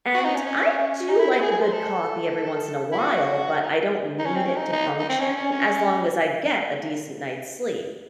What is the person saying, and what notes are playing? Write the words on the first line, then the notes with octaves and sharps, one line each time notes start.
and, I do like a good coffee every once in a while, but I don't need it to function, as long as I get a decent night's sleep.
F#4
D#4
C#4
C#4
C#4
D#4
E4
E4
G#4
G#4
C5
A4
E4
F#4
D#4
D#4
C#4
C4
C#4
D#4
D#4
D#4
C4
C#4
C#4
C#4